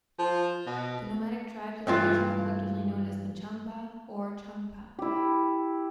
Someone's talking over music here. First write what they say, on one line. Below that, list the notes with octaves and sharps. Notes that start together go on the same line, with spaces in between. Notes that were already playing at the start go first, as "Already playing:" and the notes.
The nomadic tribes of the region are collectively known as the "Changpa" or "Chang-pa".
F3
B2
G2 E3 F4
E4 G4